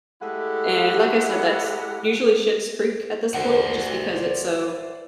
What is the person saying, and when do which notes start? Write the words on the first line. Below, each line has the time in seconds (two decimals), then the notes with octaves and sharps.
And like I said, that's usually Schitt's Creek at this point just because it's so
0.21 G#3 A3 E4 G4 A4 F#5
3.34 C5 D5 F#5